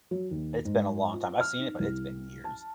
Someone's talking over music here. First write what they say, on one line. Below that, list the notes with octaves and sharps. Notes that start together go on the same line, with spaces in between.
It's been a long time. I've seen it, but it's been years.
F#3
D#2
G#2
F4
F6
D#4
C2
A5